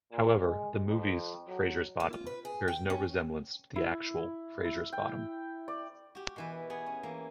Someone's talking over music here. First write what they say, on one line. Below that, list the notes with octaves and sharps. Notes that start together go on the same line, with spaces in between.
However, the movie's Fraziers Bottom bears no resemblance to the actual Fraziers Bottom.
A#2
G#3
F2
F#3
A#3
F4
B4
G#4
G5
C#4
E4
E4
G5
D5
F#4 G4
B2 E3 B4
B3 G#4
C#4
E3 A#3